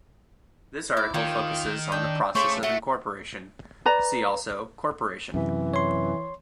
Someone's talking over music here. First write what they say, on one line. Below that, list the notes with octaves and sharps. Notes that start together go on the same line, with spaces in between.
This article focuses on the process of incorporation; see also corporation.
E4 D5
D#3 F4 G4 C#5
D4 G5
C#3 A3 C5 E5 C#6 D6
A3 F#4 E5 F#5
B4 D5 A#5
F#2 C3 E3
C#5 C6